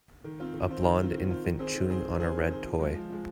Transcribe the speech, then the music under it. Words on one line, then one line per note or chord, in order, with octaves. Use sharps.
A blond infant chewing on a red toy.
D#3
C4 F4 C5
D#3
C4 F4 C5
D#3
C4 F4 C5
D#3
C4 F4 C5
D#3
C4 G#4 C5
D#3
C4 G#4 C5
D#3
C4 G#4 C5
D#3
C4 G#4 C5
F3
G#3 F4
F3
G#3 F4